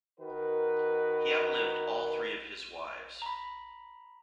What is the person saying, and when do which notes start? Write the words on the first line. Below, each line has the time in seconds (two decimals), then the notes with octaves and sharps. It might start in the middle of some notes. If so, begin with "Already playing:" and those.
He outlived all three of his wives.
0.19 D#3 F#4 A#4 B4
3.22 A#5 B5